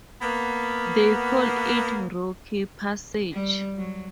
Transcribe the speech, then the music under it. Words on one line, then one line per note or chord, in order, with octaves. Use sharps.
They called it "Rocky Passage".
A#3 B3
G3
F#3